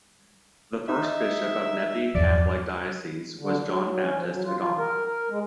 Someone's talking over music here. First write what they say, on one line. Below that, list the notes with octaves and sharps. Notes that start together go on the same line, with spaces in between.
The first bishop of Nebbi Catholic diocese was John Baptist Odama.
D#4 E5
E2 G2 F3 D5
D3
F#3
F#3
C#4
F3
F#3
F4
F4
A#4
A#4
G#3